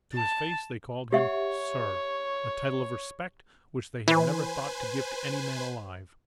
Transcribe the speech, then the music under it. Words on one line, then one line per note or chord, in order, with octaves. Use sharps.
To his face they called him 'sir,' a title of respect which they had never thought to give to any man alive.
A5
G4 C#5 E5 F#5
E3 B4 C5 G#5